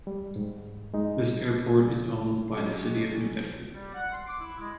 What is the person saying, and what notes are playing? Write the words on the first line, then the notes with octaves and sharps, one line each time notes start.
This airport is owned by the City of New Bedford.
G3
G#2
G#3 D#4
F#3 G#3 C#4 D4 G4 D#5
G3
F#5
C6
D6
E4
G#3